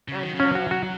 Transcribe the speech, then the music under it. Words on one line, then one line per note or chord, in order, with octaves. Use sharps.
I know.
C#3
D#3
C#3
F#3 C#4
F#4
F#4